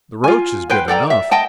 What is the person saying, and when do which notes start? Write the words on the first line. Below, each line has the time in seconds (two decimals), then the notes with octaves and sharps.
The roach is good enough!
0.24 F4 G#5
0.70 B4 C5 G5
0.88 A4 D5 G5 A#5
1.10 E5
1.31 D#5 G5 A5